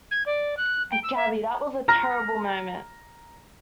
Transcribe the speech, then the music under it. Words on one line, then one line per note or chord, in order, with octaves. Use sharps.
Gabby, that was a terrible moment.
G#6
D5
F#6
G5
E6
E5
A#5 F6 A#6